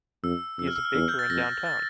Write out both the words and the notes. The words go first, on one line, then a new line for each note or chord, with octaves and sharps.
He is a baker in downtown.
F2 E6
F2 E6
F6
E6
F6
E2 E6
G6
A6
F2 A#6
A6